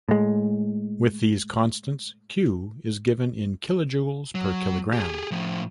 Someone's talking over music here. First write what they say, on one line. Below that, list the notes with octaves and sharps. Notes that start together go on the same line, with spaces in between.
With these constants, "Q" is given in kilojoules per kilogram.
A2 G#3
F#3
G4 G#4
A2 F3